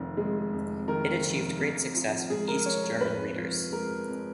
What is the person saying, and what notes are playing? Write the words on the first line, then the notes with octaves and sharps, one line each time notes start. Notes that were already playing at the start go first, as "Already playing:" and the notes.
It achieved great success with East German readers.
Already playing: F1 F2 D#3
G#3
F2
D#3 A#4
F1
F2
F3
G#3 G#4
A#4
F2 C#5
A#4
F2 B4
F3
G#3 A#4
F2